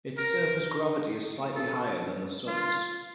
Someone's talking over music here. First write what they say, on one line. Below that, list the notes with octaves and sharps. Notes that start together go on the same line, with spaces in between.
Its surface gravity is slightly higher than the Sun's.
A#4
A4
F4